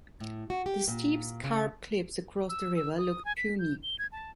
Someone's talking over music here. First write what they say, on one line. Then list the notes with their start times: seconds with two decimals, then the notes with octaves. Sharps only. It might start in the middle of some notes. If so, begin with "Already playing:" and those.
The steep scarp cliffs across the river looked puny.
0.20 A2
0.50 F#4
0.66 G4
0.88 A#2
1.44 C#3
2.49 E6
2.76 E6
2.98 D#6
3.25 G#5
3.37 B6
3.59 G6
3.83 G7
3.99 G#6
4.12 A5